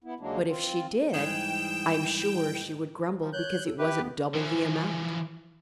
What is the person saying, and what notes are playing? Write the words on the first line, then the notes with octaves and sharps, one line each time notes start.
But if she did, I'm sure she would grumble because it wasn't double the amount.
B3 E4
D#2 C#3 F#3 G#3 A#3 D4
C4 F4
G#2 E3 G3 E4 G#4 G5 E7
F3
C#5 F#6 G6
A4
G4 B4 E5
B3
E3 F3